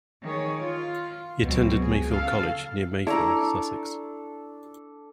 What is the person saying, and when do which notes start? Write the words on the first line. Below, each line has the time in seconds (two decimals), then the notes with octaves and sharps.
He attended Mayfield College near Mayfield, Sussex.
0.25 D#3 G#4 C#5
0.60 F4
1.42 C#2 B2 F#3 C4
1.79 G#4
2.13 C#3 A4 F5
3.07 D4 E4 A4 A#5 C#6